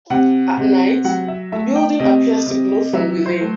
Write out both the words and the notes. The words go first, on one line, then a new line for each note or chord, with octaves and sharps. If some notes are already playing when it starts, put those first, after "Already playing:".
At night, the building appears to glow from within.
C3 F#5
C3
F#3 F#5
E5
A3 E5
G5
C3 D#5
C3
F#3 E5
C5
A3